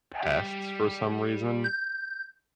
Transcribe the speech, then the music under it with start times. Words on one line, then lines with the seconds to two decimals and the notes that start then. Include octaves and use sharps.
pests for some reason.
0.24 G3 G4
1.64 G6